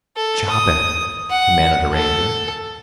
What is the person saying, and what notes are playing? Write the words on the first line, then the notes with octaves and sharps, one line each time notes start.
"Chop it!" commanded a Ranger.
A4
D#6
F#5
A4